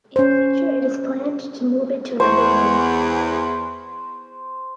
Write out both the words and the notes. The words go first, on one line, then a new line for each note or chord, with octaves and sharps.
In the future it is planned to move it to another room.
C#4 C5
E2 C5 C#6